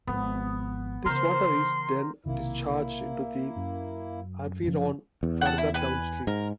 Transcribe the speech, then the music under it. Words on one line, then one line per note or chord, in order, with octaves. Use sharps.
This water is then discharged into the Arveyron further downstream.
G#1 F3 B3
C#3 E3 A#4 C5 C6
B1 C3 D#3 A#3 E4
F#2
F#2 C#3 F3
E2
F#5 A5
E4
B4 G#5
G#2 A#4